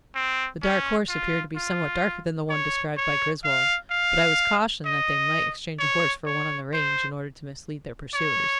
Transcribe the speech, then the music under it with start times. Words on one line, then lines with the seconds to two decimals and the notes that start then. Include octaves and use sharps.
The dark horse appeared to be somewhat darker than the one described by Griswold, but I was cautioned that they might exchange a horse for one on the range in order to mislead their pursuers.
0.15 C4
0.62 C#4
1.09 F4
1.56 F4
2.50 C#5
2.97 C#5
3.44 F5
3.91 F5
4.86 D#5
5.79 C#5
6.26 C#5
6.74 C5
8.14 C#5